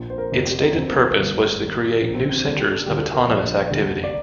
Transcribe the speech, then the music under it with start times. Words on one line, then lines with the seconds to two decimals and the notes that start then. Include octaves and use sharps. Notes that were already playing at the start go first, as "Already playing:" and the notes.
Its stated purpose was to create new centers of autonomous activity.
Already playing: A#1 A#2 F3
0.10 C5
0.18 A#4
0.32 F1 F2 D3 F3 A#4
0.45 G4
0.60 D#4
0.74 D2 D3 F3 C4
0.88 A#3
1.02 A#3
1.16 G1 G2 D3 G3
1.58 D#2 D#3 G3
2.01 A#1 A#2 F3 A#3
2.15 C4
2.29 C4
2.44 D#2 D3 G3 D4
2.57 G4
2.72 A4
2.86 D2 D3 G3 G4
3.00 A4
3.14 A#4
3.28 A#1 A#2 F3 D#5
3.70 F1 D#2 D3 G3
4.04 D5